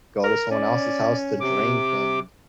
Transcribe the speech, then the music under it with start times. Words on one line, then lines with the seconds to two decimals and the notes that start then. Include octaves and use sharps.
go to someone else's house to drink, and,
0.24 A#4
0.51 C#4 D5
1.41 C3 D6